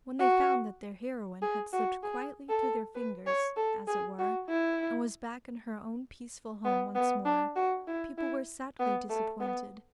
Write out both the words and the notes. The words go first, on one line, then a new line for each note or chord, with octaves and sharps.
When they found that their heroine had slipped quietly through their fingers, as it were, and was back in her own peaceful home once more, people were sadly disappointed.
F#4
G#4
F#4
G#4
A4
B4
C#5
A4
G#4
F#4
E4
B3
B3
D4
F#4
E4
E4
B3
A3
B3